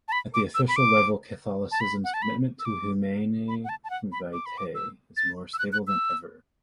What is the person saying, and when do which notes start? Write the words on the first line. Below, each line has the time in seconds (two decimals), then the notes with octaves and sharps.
At the official level, Catholicism's commitment to "Humanae Vitae" is more stable than ever.
0.08 A5
0.12 B5
0.34 D6
0.54 E6
0.68 B5
0.76 D6
1.71 A5
1.81 B5
2.04 F#5
2.14 A5
2.22 B5
2.60 E6
2.65 D6
3.48 B5
3.64 F#5
3.69 A5
3.84 A5
3.90 F#5
4.12 B5
4.33 D6
4.46 B5
4.58 D6
4.75 E6
5.17 A6
5.54 E6
5.59 F#6
5.72 F#6
5.87 E6